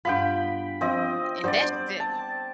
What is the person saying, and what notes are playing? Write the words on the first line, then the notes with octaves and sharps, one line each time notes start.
N and that's def
G2 B3 F4 G5 B5
F3 C4 D5 D#5
G3 B3 D4 C5 D5
A5